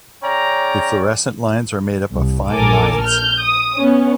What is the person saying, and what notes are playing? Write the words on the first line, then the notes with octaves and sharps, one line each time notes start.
The fluorescent lines are made up of fine lines.
C#3 C#4 D5 G5 A#5
C2
A#1 A4 A#4 G#5 D6
F6 G6
D#6
B3 C#4